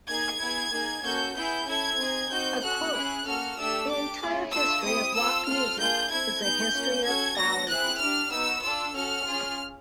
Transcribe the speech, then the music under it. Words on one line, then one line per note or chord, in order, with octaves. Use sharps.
A quote: The entire history of rock music is a history of ballyhoo.
A#3 D#4 G#4 G#6
B3 E4 G#4
A#3 D#4 G#4
A#3 C#4 F#4 A4 G6
B3 E4 G#4 G6
C#4 E4 A4 G#6
C4 D#4 G#4
C4 D#4 F#4 G6
C#4 F#4 A4 F#6
C#4 E4 G#4
A#3 C#4 F#4 A4 F6
A3 D4 G4 E6
D4 G4 D6
C#4 E4 G#4
A3 D4 F4 A4 E6
C4 E4 G4 D#6
C4 F4 A4 E6
C4 F4 A4 F6
A#3 D4 F4 G#4 G6
C4 E4 A4 G#6
B3 D#4 G#4 G6
A#3 C#4 F4
C#4 F#4 A4 G#6
B3 D4 F#4 A#6
C4 E4 G#4 F#6
D4 G4 F6
B3 D#4 F#4 E6
D4 F4 A4 E6
C#4 F#4 A4 F6
C#4 F4 G#4